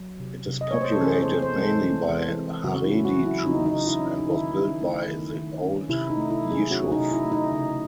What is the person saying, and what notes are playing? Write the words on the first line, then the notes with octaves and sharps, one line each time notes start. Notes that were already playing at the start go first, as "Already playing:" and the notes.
It is populated mainly by Haredi Jews and was built by the Old Yishuv.
Already playing: F#3
C3
C3
D#5
A3 C#5
C5
A4
E3 G#4
C5
C4
C5
G#3
A4
E3
E3
C4
C#3 F#4
E4
C#4
F#4
F#3
E4
C#3 D#4
D#4
C#3
E4
C#4
E4
D#4
D#3 E4
C#4
A3
D#3
D#3
C#4
C3 E4
D#4
A3
E4
F#3
G#4
C#4 F#4
D#4
C3
E4
A3
D#4
C#3